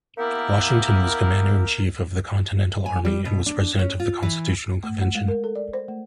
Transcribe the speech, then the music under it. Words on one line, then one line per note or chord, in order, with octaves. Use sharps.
Washington was Commander-in-Chief of the Continental Army and was President of the Constitutional Convention.
A#3 B3 E4 G4 A#4
G#5
G3
B2
D4
C#4
F4
E3
A3
F#5
G#3
A#4
A4
D5
C5
A3